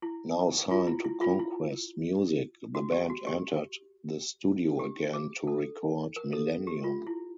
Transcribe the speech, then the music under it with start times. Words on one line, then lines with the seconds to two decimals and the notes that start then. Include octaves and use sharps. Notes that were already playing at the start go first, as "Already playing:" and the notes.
Now signed to Conquest Music, the band entered the studio again to record "Millennium".
0.02 E4
0.71 F4
0.87 E4
1.04 E4
1.21 F4
1.39 E4
2.75 F#4
2.93 G4
3.10 F#4
3.27 G4
4.79 G4
5.13 G#4
5.47 A4
6.16 A#4
6.33 A4
6.67 G4
6.84 F4
7.07 E4